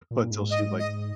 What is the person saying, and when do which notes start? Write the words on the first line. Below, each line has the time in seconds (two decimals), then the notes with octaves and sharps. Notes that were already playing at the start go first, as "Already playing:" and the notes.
until she, like
0.11 A#2
0.31 G#2
0.51 D#5
0.79 D#5